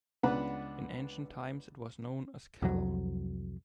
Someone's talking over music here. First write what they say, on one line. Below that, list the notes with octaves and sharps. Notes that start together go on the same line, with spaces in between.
In ancient times it was known as Calor.
C#2 B3 D4 B4 F#5 B5
C2 F2 F#3